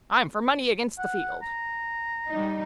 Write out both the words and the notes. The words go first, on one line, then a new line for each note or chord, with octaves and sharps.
I'm for money against the field.
F#5
A#5
G3 D#4